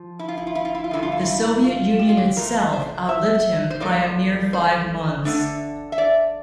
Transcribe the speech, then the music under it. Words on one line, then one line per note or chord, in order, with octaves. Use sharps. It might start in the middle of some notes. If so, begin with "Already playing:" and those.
The Soviet Union itself outlived him by a mere five months.
Already playing: F3
E4
F4
E4
F4
E4
F4
E4
F4
G2 D3 F3 E4
F4
E4
F4
E4
F4
G4
F4
G4
A#2 F3 A3 A#4
C5
E5
C5
A2 F3 A#3 D5
C5
D3 A3 D4
E5
D5